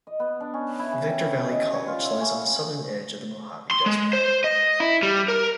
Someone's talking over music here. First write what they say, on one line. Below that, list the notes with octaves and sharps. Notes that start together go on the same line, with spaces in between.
Victor Valley College lies on the southern edge of the Mojave Desert.
D#5
B3
D4
C#4
E4
C#3
G4
D#5
C#5
F4
E5
C#4
C6
G#3
C5
D#5
E4
G3
A#4